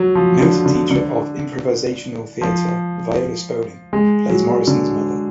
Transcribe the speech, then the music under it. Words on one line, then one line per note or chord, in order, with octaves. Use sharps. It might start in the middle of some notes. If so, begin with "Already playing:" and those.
Noted teacher of improvisational theater Viola Spolin plays Morrison's mother.
Already playing: F#3
F3
D3
D3
D3
F3
G#3
F#3
D3